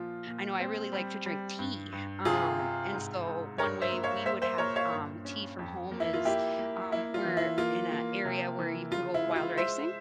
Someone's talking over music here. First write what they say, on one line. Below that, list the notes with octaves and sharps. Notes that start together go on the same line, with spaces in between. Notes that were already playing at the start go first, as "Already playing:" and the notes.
I know I really like to drink tea. Um, and so one way we would have, um, tea from home is- um, we're in a area where you can go wild ricing-
Already playing: A#2 F3 F4
A#2
C4
G3
G3
G2
G2
C3 F4 G#4
C3
G#2
G#2
G2 A#4 C#5
C5 E5
A#3
C#5 F5
A#3 C5 E5
C5 E5
A#2 A#4 C#5
C#5 F5
G2
C#4
F2
A#3
E4
F4
A#3 E4 G4
A#3
A#3 E4
F4
E3
E4
A#3 F4
A#3
C3
E3
C#3 F4
E4
G#3
E4
F4
G#3 C5 E5